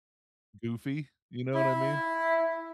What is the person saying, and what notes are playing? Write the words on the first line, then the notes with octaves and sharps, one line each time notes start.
goofy, you know what I mean?
E4